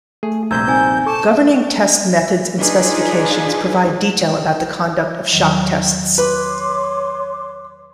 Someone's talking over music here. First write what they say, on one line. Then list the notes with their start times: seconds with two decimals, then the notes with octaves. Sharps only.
Governing test methods and specifications provide detail about the conduct of shock tests.
0.23 A3 G#4
0.51 A#1 G2 C3 A#5 E6 G6 G#6
0.68 C4 D#4 G#5
1.06 A4 A5 C#6 D6
2.59 D4 D#4 F4 G#4 B4
5.33 E2 D#3 F#3
6.18 B4 C#5 C6 D6